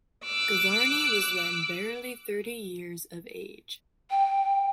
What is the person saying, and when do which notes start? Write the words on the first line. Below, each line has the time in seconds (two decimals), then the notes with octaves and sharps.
Gavarni was then barely thirty years of age.
0.23 D6 E6 F#6
4.11 G5